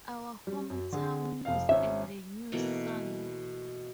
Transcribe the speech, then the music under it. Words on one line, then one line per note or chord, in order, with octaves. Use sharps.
Our Hometown News and the News-Sun.
G3
F#2
D3 G#4
F1 F5
G#1 C#4 E5
B2 E3 A3 A#3